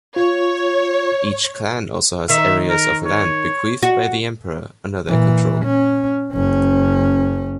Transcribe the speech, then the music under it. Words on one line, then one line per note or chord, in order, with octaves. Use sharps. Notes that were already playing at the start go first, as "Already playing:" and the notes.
Each clan also has areas of land bequeathed by the emperor under their control.
F4 C#5
D#3 E5
A#4
C#5
F#4
A#2 E3
C#4
F#1 C#4